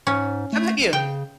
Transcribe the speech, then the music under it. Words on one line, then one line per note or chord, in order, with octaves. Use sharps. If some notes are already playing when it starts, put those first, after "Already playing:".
How 'bout you?
G#2 C#4
A3
A#1
C#3 G5